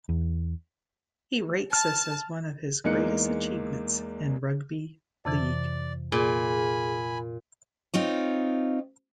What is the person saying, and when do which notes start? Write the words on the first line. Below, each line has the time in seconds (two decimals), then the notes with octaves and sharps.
He rates this as one of his greatest achievements in rugby league.
0.09 E2
1.73 A5 F6
2.84 E2 G#3 A#3 D#4 F#6 C#7
5.25 F2 C3 E3 D5
6.12 A#2 G#4 G#5 B5
7.94 C4 D#4 F4 C#5